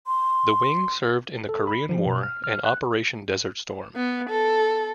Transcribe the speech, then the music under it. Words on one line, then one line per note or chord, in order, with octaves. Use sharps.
The wing served in the Korean War and Operation Desert Storm.
C6
A4
B5
F3
B2
F6
F6
F#6
B3
A4